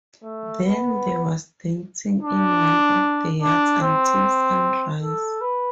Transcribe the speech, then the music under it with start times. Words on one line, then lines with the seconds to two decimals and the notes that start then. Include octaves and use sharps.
Then there was dancing in one of the yards until sunrise.
0.23 A3
0.63 B3
2.23 D4
3.42 D4
3.81 C4
5.02 A4
5.41 B4